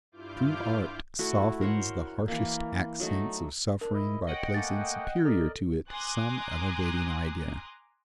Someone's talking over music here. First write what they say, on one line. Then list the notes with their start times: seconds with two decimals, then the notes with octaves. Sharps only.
True art softens the harshest accents of suffering by placing superior to it some elevating idea.
0.12 G2 E4 F4 D6 F6 G6
1.19 A3 E4 F#4
1.61 A#4 C5 C#5 F#5
2.28 E3 A#3
3.00 F#3 A3 D#4
3.81 D4 A#4
3.94 E4 D#5
4.27 C#5 D#5 F#5 G5
4.54 A3 A#3 G#5 A6
5.25 A4 A#4 D5 D#5
5.90 G#5 A#5 C6 D6 D#6 F#6